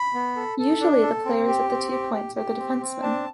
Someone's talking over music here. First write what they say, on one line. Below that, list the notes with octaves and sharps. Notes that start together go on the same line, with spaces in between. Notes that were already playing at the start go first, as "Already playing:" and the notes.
Usually the players at the two points are the defencemen.
Already playing: B5
B3
A4
A4
D4
A4
C4
G4
C4
G4
G4
G4
C4
C4
D4 A5